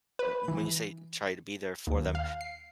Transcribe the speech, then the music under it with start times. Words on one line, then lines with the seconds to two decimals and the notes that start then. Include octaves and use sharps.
and when you say try to be there for them,
0.19 B4
0.48 E3
1.87 D#2
2.15 F5
2.41 C7